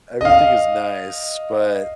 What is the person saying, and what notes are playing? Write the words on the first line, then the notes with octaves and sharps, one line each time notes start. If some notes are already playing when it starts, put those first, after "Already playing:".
everything is nice, but,
D#5 F5